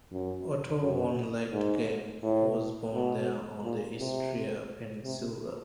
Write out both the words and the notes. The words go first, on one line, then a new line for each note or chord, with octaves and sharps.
Otto von Leitgeb was born there, on the Istria peninsula.
F#2
F#2
G#2
A2
B2
A#2
C3
C3